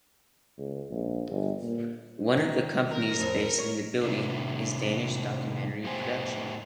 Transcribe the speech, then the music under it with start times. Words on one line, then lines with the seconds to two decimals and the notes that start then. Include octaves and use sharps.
One of the companies based in the building is Danish Documentary Production.
0.57 C#2
0.91 A#1
1.29 G1
1.63 A#2
2.37 D#3
2.91 A#4
3.19 B1 F2
3.58 C#5
4.03 A2 C3 D#3 A3 D4
5.84 A2 A3 B3 G4 C5 G#5